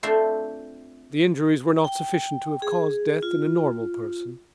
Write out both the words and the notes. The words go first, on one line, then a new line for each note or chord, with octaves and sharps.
The injuries were not sufficient to have caused death in a normal person.
A3 C4 D4 F4 C5 E5
G5
G#4
F4